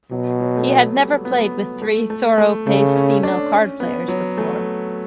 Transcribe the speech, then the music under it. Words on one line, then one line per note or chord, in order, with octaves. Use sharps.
He had never played with three thorough-paced female card-players before.
B2 F#3
F#3
A3
B3
G3
B3
A3
A3
A3
C#3 A3
C#4
D4
C#4
B3
F#3
A3